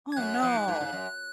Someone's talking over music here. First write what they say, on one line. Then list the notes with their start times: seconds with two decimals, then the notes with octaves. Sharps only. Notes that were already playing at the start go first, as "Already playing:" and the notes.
Oh, no.
0.12 G#6
0.17 F#2 F#6
0.42 F3 F#6
0.54 G#2
0.68 G#2
0.80 G#2
0.93 F#2